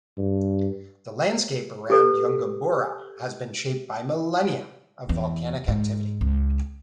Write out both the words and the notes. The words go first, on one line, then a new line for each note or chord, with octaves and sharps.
The landscape around Yungaburra has been shaped by millennia of volcanic activity.
G2
G4 A4 B4
E2
G#2
C#2